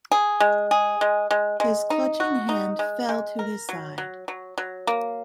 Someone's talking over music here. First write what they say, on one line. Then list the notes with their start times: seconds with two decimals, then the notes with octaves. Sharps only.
His clutching hand fell to his side.
0.12 G#4
0.40 G#3
0.71 G#4
1.01 G#3
1.31 G#3
1.60 G#3
1.90 D#4
2.20 F#4
2.49 D#4
2.79 G#3
3.09 G#3
3.39 A#4
3.69 F#3
3.98 F#3
4.28 F#3
4.58 F#3
4.87 A#3